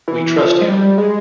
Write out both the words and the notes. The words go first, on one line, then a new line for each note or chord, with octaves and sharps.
We trust you.
E3
F3
G#3
G3
G#3